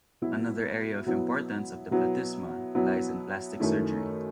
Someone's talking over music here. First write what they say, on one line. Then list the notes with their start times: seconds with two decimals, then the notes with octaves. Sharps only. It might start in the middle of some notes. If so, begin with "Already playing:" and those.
Another area of importance of the platysma lies in plastic surgery.
0.22 B2 F#3 B3 E4
1.06 B2 F#3 B3 E4
1.91 B2 F#3 B3 E4
2.75 B2 F#3 B3 E4
3.60 F#2 D#3 A3 E4